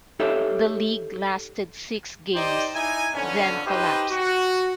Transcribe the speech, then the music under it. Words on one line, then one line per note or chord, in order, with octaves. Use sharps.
The league lasted six games, then collapsed.
D#4 G4 A4 C#5 E5
D#4 G4 C5 D5 D#5
D#4 E4 G#5
F2 D3 B3 C#4
D#4 G4 B4 C5 D#5
F#4